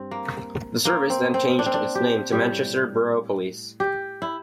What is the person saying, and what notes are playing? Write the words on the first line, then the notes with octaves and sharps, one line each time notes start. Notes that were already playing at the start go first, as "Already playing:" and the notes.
The service then changed its name to Manchester Borough Police.
Already playing: G2 C4
A#3
A#3
C4
C4
D4
C4
D4
G4
A2 G3 G4
G4
E4